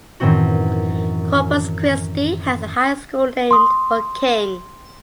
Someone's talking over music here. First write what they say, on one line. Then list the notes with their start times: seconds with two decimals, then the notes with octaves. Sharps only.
Corpus Christi has a high school named for King.
0.20 F#2 A2 D#3 E3 C4 F#4
3.51 C6 D#6